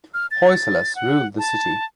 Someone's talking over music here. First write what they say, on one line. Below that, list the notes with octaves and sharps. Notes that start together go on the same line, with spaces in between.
Hoysalas ruled the city.
F6
A6
F#5
A5